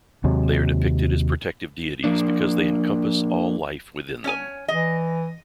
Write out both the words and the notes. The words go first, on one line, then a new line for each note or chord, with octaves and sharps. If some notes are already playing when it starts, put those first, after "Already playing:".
They are depicted as protective deities because they encompass all life within them.
D#2 C3 F#3 G#3
F3 A#3 D4
C#4 C#5 G#5
E3 D#5